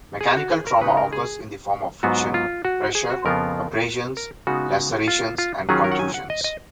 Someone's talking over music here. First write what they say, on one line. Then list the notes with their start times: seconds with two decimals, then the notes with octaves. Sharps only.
Mechanical trauma occurs in the form of friction, pressure, abrasions, lacerations and contusions.
0.21 G#4
0.37 F#4
0.51 G#4
0.67 A#4
0.81 C#3 G#3 D#4 B4
0.97 A#4
1.13 G#4
2.03 G#2 F#3 B3 F4 F#4
2.34 F4
2.65 F#4
2.95 G#4
3.10 F#4
3.25 F2 C#3 F3 B3 F4 A#4
4.17 A#4
4.47 C#3 G#3 B3 D#4 F#4
5.08 F4
5.38 F4
5.69 D#3 F#3 C#4 F4 G#4
5.84 A#4
5.92 F#5
5.99 G#5
6.14 F#5
6.30 D#5
6.44 D#5